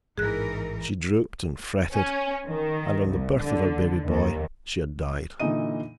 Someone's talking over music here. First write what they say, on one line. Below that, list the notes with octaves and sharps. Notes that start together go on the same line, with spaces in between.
She drooped and fretted, and on the birth of her baby boy, she had died.
A1 G#2 E3 D#4 G#4 A#4 F#6
C#4
D#3
C2
D3
D#2
A#2 D3 E3 D#4 D#5 D#7